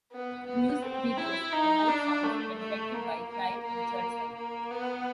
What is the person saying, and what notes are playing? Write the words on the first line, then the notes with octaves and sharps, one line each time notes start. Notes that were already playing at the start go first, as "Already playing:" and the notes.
The music videos for both songs were directed by Clive Richardson.
B3
B3
C4
E4
D#4
D4
A3
A3
A#3
A#3
A#3
A#3
B3